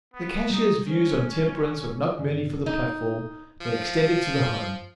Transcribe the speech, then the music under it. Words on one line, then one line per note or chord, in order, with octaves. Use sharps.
The cashier's views on temperance were not merely for the platform; they extended to the home.
B3
G3 G#3 D#4
C#4 D4 C5
G2 D#3 D5
D#4
F3